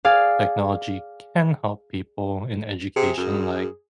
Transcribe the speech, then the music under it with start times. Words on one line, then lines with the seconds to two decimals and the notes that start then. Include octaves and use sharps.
technology can help people in education, like,
0.05 G#4 D5 F5
2.96 C3 G#4
3.17 F#2